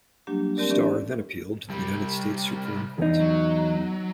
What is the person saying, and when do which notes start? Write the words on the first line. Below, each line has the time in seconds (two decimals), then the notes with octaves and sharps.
Starr then appealed to the United States Supreme Court.
0.27 F#3 G3 A#3 D4 G4
0.57 A3 C4 G4 A#4 D5
0.70 E3 C#4 D4 G4 D5
1.69 C2 G3
2.98 E2 D#4
3.20 F#3